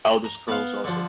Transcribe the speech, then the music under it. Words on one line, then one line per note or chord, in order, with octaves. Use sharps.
Elder Scrolls, also.
A#5
B3 F5
D3 F3